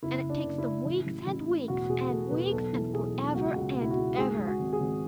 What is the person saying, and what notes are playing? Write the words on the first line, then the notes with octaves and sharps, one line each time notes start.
And it takes them weeks and weeks and weeks, and for ever and ever.
F#1 E4
F#1
D4
F#1
E4
F#1
A1
A1
A1
A2
E1 F#4
B2 G#4
E1 A4
E1 B4
B1 A4
E3
B1 G#4
B1
C#2 F#4
C#2
B2
E4
F#4
C#2
G#2 G#4
G#2
F#4
G#1
G#4
G#1